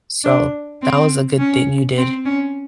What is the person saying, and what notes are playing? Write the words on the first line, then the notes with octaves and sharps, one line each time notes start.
So that was a good thing you did.
D4
C4
C#4
C4
C#4